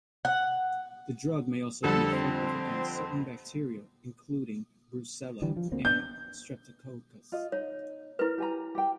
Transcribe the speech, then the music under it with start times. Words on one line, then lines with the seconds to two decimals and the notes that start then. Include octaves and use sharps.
The drug may also be effective against certain bacteria including "Brucella" and "Streptococcus".
0.25 F#5
1.84 F2 D3 G3 A4
2.13 C4
5.42 D3 E3 G3
5.57 F3
5.72 D2 A#3 C4
5.85 B3 D4 G6
7.32 F4 D#5
7.52 D#4 C#5
8.19 E4 A#4 B4
8.38 G4 G#5 A#5
8.75 G4 G5